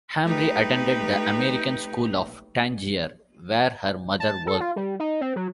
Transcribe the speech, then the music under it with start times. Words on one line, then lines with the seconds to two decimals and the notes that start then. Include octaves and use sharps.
Hamri attended the American School of Tangier, where her mother worked.
0.24 A3 D#4 G4 B4
4.20 A5
4.47 A4
4.60 F4
4.76 G3
5.00 D#4
5.21 C4
5.36 F#3